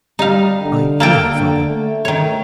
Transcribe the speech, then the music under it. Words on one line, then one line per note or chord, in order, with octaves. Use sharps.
"I hear, father."
G3 D#4 F5
D3
A#3 A4 G5
D3
A3
D#3 C#5